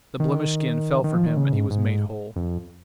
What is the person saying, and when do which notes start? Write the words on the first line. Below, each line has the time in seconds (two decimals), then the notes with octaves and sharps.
The blemished skin fell from him, and he was made whole.
0.20 D#3
1.04 D#3
1.14 F3
1.26 D#3
1.37 C#3
1.53 G#2
1.70 G#2
2.36 F2